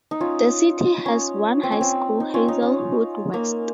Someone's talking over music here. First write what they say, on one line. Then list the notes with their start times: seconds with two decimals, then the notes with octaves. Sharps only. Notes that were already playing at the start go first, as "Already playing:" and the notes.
The city has one high school, Hazelwood West.
0.11 D#4
0.20 C#4 F4
1.06 C#4
1.63 C4
1.72 C#4
1.81 C4
2.20 D#4
2.34 C#4 F4
2.48 D#4
2.63 C#4
3.34 A#3